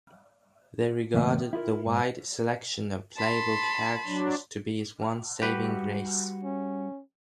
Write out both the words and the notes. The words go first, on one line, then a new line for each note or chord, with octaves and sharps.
They regarded the wide selection of playable characters to be its one saving grace.
E2 A2 C#3 A#3 B3 E5
E4 F4 G#4 A#4
G#2
A5 B5 C6
F#3 D4
G3 F#4 G4 B4
C#4